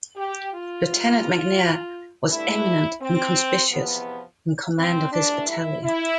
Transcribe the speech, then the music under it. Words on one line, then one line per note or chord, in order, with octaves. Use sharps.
Lieutenant McNair was eminent and conspicuous in command of his battalion.
G4
F4
F2 C3 G3 B3
G2 D3 A3 E4
C4
E2 C3 F3 B3
C4
G2 E3 A3 D4
E4
E4